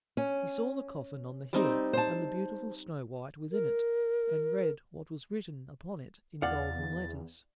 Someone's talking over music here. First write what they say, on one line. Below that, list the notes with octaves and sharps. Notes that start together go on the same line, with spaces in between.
He saw the coffin on the hill, and the beautiful Snow-white within it, and read what was written upon it in golden letters.
C#4
G3 C4 D#4
C5 A5
A#4
E2 D5 F5 F#5 A6